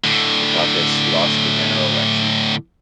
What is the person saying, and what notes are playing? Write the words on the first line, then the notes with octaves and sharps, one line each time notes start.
Dukakis lost the general election.
A2 D3